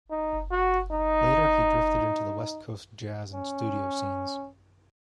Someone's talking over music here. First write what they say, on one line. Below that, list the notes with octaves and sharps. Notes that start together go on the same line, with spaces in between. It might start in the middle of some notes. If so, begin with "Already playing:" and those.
Later, he drifted into the "West Coast Jazz" and studio scenes.
D#4
F#4
D#4
C#4